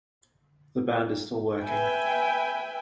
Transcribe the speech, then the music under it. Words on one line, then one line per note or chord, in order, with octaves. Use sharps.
The band is still working.
B4 E5 G5 G#5